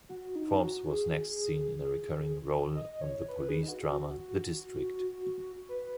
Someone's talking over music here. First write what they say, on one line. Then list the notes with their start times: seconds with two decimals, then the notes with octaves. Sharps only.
Forbes was next seen in a recurring role on the police drama "The District".
0.09 F#4
0.36 D#4
0.63 F#4
0.89 G#4
2.76 D#5
3.02 C#5
3.28 B4
3.49 G#4
3.63 D#4
3.68 F#4
3.89 F#4
4.08 F#4
5.69 B4